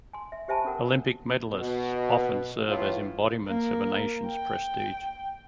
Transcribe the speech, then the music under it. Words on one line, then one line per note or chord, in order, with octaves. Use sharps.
Olympic medalists often serve as embodiments of a nation's prestige.
G#5 C6
E5
G4 C5 E5 G#5 A5 B5
C#4 A4 A#4 F#5
B2
A2 E3 F4
A#3
G5